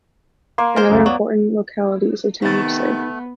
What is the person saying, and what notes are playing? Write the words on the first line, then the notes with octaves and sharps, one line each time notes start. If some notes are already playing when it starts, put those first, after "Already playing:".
Another important locality is the town of Sig.
A#3 C6
A#4 C5
C#2 F#2 G#3
F#3 B3 D5
C3 D#3 A3 B3 D#4 A6